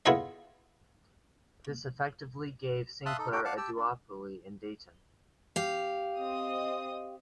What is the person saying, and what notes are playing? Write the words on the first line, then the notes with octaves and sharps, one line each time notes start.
This effectively gave Sinclair a duopoly in Dayton.
B3 E4 F4 G#4 A4 D#5
E5 F5 A5 C6 D#6 F#6
D#4 A4
D#4 F#4 G4 A4 G5
D5 F5 F#5 A5
G4 A5 E6
D4
G4 F5
C4 D#5 D#6